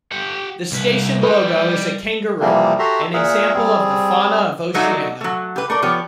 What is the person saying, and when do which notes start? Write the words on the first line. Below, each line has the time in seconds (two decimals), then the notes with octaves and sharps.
The station logo is a kangaroo - an example of the fauna of Oceania.
0.12 G4 F#5
0.72 C2 B4
1.23 G3 B4 D#5
2.41 C3 E3 F3 G3 A#3 C4
2.79 F#4 G4 A4 E5 A#5 C6
3.14 A#2 G#4 A#4 E5 F#5
3.54 G3 C4 G#4
4.74 F#3 A3 D4 D#4 F#4 D#5
5.21 F#3 A3
5.56 G4 B4
5.70 A3 A#4 D5
5.82 F3 B3 G4 C#5